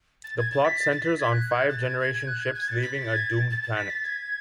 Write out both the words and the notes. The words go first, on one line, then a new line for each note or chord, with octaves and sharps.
The plot centers on five generation ships leaving a doomed planet.
A6
G#6
A6
B6
A6
A6
B6
G#6
F#6
G#6
A6
A6
G#6
G#6
G#6
F#6
G#6
G#6
A6
B6
A6
G#6
A6
A6
A6
B6
A6
G#6